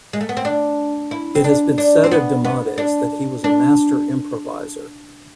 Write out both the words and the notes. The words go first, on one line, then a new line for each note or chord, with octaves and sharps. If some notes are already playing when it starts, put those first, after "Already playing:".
It has been said of Demades that he was a master improviser.
G#3
A3
B3
C4
D4
E4
C4
D4
D4
C4
B3
B3
D4
D4